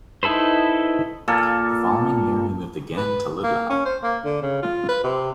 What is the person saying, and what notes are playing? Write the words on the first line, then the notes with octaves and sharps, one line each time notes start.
The following year he moved again to Ludlow.
D#4 E4 A4 B4 C5
A#2 A#3 A4
B4
A#3
C#4
C5
A#3
D3
C#3
F4
B4
C3